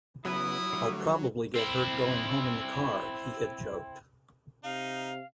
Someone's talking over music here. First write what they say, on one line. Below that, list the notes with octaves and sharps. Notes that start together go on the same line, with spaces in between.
"I'll probably get hurt going home in the car," he had joked.
C#3 F#3 B3 E4 B4 D#6
D3 G3 A3
C4 E4
C3 D#4 F5